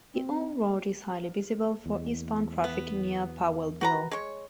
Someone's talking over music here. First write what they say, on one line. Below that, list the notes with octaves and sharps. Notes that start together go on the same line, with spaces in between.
The old road is highly visible for eastbound traffic near Powellville.
C4
E2
B3
F#4 B4 A#5
G#3 C#5